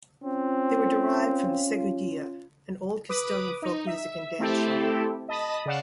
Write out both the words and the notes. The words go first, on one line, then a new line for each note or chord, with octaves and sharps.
They were derived from the Seguidilla, an old Castilian folk music and dance genre.
C4 C#4 F4
B4 D6 D#6
D#4
E5
A3 C4 E4 G4 A4
D#5 A5 B5 D#6
C#3 D5 F5 F#5 E7